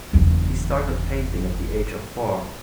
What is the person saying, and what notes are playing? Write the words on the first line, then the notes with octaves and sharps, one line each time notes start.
He started painting at the age of four.
F#1 E2